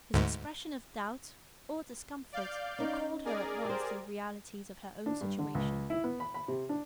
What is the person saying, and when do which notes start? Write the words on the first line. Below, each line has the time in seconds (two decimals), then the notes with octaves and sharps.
His expression--of doubt or discomfort--recalled her at once to the realities of her own situation.
0.14 D2 G#2
2.32 D5 F5 G6
2.79 C#4 D#4
3.25 G#4 A#4 D5
3.65 G4 C5
5.06 D4
5.21 G2
5.39 D3
5.55 C#2
5.90 E4
6.04 B3
6.20 B5
6.34 B5
6.48 C3
6.69 D4